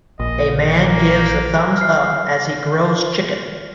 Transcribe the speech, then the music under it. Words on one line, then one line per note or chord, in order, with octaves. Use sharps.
A man gives the thumbs up as he grills chicken.
A#1 D#5
A#3
F6 C7